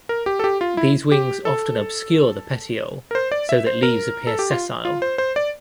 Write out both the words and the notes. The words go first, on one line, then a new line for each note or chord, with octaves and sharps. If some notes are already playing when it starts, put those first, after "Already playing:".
These wings often obscure the petiole so that leaves appear sessile.
A#4
G4
A4
G4
F4
E4
G4
A4
A#4
C5
D5
E5
C5
A#4
A4
G4
F4
F4
C5
C5
D5